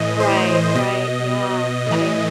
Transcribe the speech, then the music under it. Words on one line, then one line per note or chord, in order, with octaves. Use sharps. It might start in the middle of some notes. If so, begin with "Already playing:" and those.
Right, right, yeah, I
Already playing: A2 E3 D#5
C5
B2 D#5
A2 E3